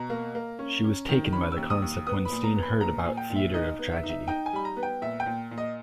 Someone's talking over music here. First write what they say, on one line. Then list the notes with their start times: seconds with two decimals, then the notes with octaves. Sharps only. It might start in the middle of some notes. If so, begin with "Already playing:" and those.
She was taken by the concept when Stene heard about Theater of Tragedy.
Already playing: B2 A#5
0.10 A#3
0.35 A#3
0.59 C#4
0.84 C#4
1.09 D#3
1.33 C#4 B5
1.52 E6
1.57 D#2
1.70 D#6
1.82 D#2
2.07 B3 D#6
2.25 B5
2.32 A#2
2.44 A#5
2.56 B3
2.63 B5
2.81 A#2 A#5
2.99 G#5
3.05 A#2
3.17 G5
3.30 A#2
3.36 E5
3.54 D#4 D#5
3.79 B3
3.91 E5
4.03 D#4
4.09 E5
4.28 D#4 G5
4.46 G#5
4.53 G3 B5
4.65 A#5
4.77 B3
4.83 G5
5.02 A#2 E5
5.20 G5
5.26 A#2
5.51 A#2
5.58 D#5